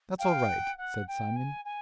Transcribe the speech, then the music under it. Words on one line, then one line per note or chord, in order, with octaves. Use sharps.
'That's all right,' said Simon.
F5 G5
F#5
F#5
G5
G#5
G#5